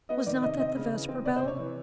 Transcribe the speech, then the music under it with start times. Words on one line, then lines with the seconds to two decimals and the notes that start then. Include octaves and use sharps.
Was not that the vesper-bell?'
0.09 B3 D#5
0.26 D#3 D5
0.43 C3 D#5
0.59 C4 D#5
0.77 C#3
0.93 E3
1.09 C4
1.25 C3 D5
1.36 C5
1.43 C3
1.48 C#5
1.59 E3